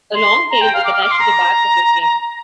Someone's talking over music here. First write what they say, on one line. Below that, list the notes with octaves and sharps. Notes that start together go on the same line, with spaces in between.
A long tail is attached to the back of the frame.
C6
A#5
G5
F5
D6
F6
D6
C6
A#5